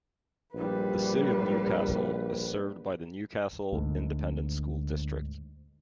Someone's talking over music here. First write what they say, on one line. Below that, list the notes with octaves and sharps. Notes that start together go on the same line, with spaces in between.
The City of Newcastle is served by the Newcastle Independent School District.
A#1 G3 B4
D2 G#2